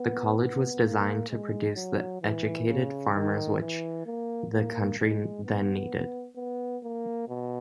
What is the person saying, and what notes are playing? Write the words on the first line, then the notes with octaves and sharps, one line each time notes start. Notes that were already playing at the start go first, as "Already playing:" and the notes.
The college was designed to produce the educated farmers which the country then needed.
Already playing: B3
B3
A#3
G#3
F#3
E3
C#3
D#3
E3
A#3
A#3
G#3
B3
B3
A#3
B2